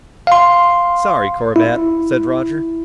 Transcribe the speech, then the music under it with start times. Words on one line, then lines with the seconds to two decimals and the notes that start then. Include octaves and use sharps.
"Sorry, Corbett," said Roger.
0.27 F5 C6
1.56 E4